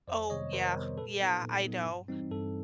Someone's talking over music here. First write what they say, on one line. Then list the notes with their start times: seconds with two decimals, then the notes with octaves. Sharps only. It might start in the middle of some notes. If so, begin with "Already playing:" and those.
Oh, yeah, yeah, I know.
0.08 F2 C5 D5
0.30 C3 D#3 G3 B3 C#5 D#5
0.53 F2 A#4 C5
0.76 C3 D#3 G3 B3
0.97 A#2 A4 B4
1.19 F#3 B3 D#4
1.41 A#2
1.65 F#3 B3 D#4
1.86 G2
2.08 E3 G3 C4 D#4
2.31 G2 A4